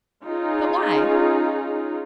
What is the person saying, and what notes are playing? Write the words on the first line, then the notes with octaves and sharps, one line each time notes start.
But why?...
C#4 D#4 F4 G#4